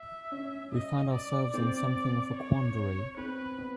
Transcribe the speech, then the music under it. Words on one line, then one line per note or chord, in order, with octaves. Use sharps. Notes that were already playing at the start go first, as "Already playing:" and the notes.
We find ourselves in something of a quandary.
Already playing: E5
C#4
D#5
D5
C4 D5
C#5
C4 B4
B3